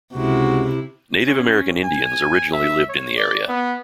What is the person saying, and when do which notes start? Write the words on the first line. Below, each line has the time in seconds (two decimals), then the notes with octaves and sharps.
Native American Indians originally lived in the area.
0.13 C#2 C3 E4 F#4
1.27 C#4
1.84 G#5
2.53 E5
2.89 C#5
3.18 D5
3.49 B3